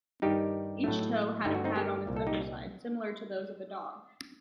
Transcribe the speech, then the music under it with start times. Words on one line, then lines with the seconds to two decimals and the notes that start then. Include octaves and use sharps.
Each toe had a pad on its underside, similar to those of a dog.
0.22 G2 D#3 G3 D#4 G4
0.84 A2 F#3 A3
1.44 G2 D3 A3 D#4
1.55 F#4
1.64 C4 D#4
1.76 G4 A#4
2.06 C2 A#2 G3 A#3
2.16 A4
2.27 D#4 G4